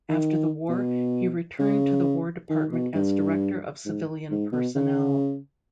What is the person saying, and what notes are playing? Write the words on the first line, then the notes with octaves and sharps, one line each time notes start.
After the war, he returned to the War Department as director of civilian personnel.
D#3
B2
C#3
D#3
B2
G2
G#2
G#2
B2
C#3